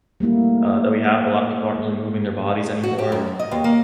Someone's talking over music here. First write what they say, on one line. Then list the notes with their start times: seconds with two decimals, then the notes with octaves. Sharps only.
uh, that we have. A lotta people aren't really moving their bodies anymore.
0.20 G3 A3 A#3 E4
2.83 F#4
2.98 G4
3.12 F#2
3.39 D#5
3.51 D#2
3.64 A#3